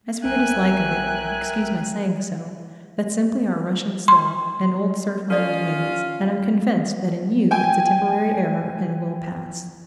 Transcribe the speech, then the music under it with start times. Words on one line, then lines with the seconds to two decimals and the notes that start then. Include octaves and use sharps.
"As for your dislike of it, excuse my saying so, that's simply our Russian sloth and old serf-owner's ways, and I'm convinced that in you it's a temporary error and will pass."
0.25 B1 A#4 E5 G5 G#5 F#6
4.08 C6
5.30 C#4 F4 A4 D5 D#5 F5
7.51 G5 G#5